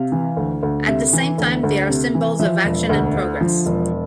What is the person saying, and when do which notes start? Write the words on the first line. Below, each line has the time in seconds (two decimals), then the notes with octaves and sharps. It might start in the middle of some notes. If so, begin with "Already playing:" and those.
At the same time, they are symbols of action and progress.
Already playing: C3 F5
0.12 E3
0.37 D2
0.63 D2
0.88 C3 E5
1.13 E3
1.38 D2
1.63 D2
1.89 C3
2.15 E3
2.39 F3 E5
2.65 E1
2.89 D2
3.15 D3
3.41 F3
3.66 E1